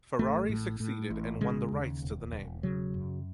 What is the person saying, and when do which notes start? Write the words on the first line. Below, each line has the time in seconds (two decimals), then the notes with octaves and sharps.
Ferrari succeeded and won the rights to the name.
0.19 A1 A3
0.49 A2
0.80 A2
1.10 A1
1.41 C#3 G#3
1.72 D#2
2.02 E1
2.33 E1
2.63 C#3 F#3
2.94 F#2